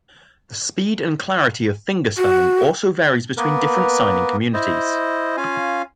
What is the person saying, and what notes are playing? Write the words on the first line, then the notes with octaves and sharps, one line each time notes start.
The speed and clarity of fingerspelling also varies between different signing communities.
F#4
A#3 B3 A#4 B4
E4 C5 D#5
C#4 F4 F5 G#5